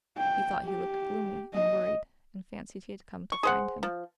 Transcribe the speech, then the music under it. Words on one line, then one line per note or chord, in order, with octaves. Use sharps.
He thought he looked gloomy and worried, and fancied he had come to find him.
G5
G4
D#5
C#6
G#4 C5 F#5
F3